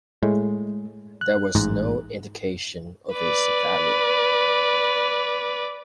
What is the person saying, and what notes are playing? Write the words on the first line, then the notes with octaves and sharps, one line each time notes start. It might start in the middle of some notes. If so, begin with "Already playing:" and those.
There was no indication of its value.
A2 G#3
F#6
A1 G#2
B4 D5